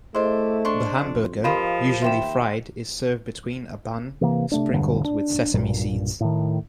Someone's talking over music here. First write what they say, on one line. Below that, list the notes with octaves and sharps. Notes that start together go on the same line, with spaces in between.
The hamburger, usually fried, is served between a bun, sprinkled with sesame seeds.
A3 E4 G#4 C5 D5 D#5 C6
D4 C6 C#6
F2
F3 F4 G4 A#4 D#5 A#5 B5
D#2 C5 E5 G5 B5 E7
C3 E3 A#3
C3 A3 D4
E1 G2 D3
D4
B1 G2 A#2
A2 D#3